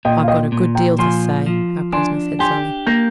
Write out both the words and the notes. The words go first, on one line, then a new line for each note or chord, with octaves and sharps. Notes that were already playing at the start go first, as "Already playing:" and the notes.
"I've got a good deal to say," our prisoner said slowly.
A#2 D#5 G5
F5
D#5 G5
A#2
G5 A#5
F3 G#5 C6
F3
D4 G#5 C6
G4 G#5 C6
A#3 G6 A#6